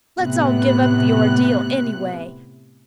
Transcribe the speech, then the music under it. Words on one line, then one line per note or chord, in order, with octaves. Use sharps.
Let's all give up the Ordeal, anyway.
A2 C3 B3 F#6